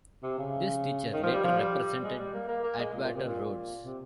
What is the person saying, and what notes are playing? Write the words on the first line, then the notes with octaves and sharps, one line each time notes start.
This teacher later represented Atwater-Rhodes.
C3
C#3
D#3
F3
G3
F3
G3
G#3
G3
A#3
A#3
A#3
G#3
A#2
A#2
C3
A#2
C3